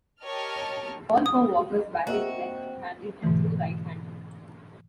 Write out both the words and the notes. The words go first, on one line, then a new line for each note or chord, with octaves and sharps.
All four Walkers batted left-handed and threw right-handed.
G4 A#4 C#5 D#5 A5 F6
D#6
A#3 C4 F#4 D#5 E5
G#2 B2 D3 E3 A3